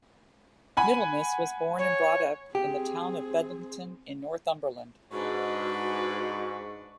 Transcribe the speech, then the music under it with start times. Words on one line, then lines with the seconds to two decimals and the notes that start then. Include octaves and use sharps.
Middlemiss was born and brought up in the town of Bedlington in Northumberland.
0.77 F#5 G#5 B5
1.78 C#5
2.55 C4 G4 G#4
5.12 G#2 D4 F#4 B4 C#6